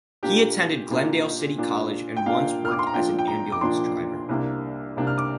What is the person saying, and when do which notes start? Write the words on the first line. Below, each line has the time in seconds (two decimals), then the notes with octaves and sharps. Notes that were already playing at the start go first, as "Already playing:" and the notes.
He attended Glendale City College and once worked as an ambulance driver.
0.23 A#2 A#3 D4 G4
0.90 A#2 A#3 D4
1.58 A#2 A#3 D4
2.17 G5
2.26 A#2 A#3 D4 F5
2.65 F6
2.72 D6
2.79 C6
2.87 A#5
2.93 A#2 F3 A#3 D4 G5
3.19 G5
3.28 A#5
3.52 D6
3.61 A#2 F3 A#3 D4 C6
4.29 C2 C3 A#3 D4
4.97 C2 C3 A#3 D4
5.07 F6
5.18 D6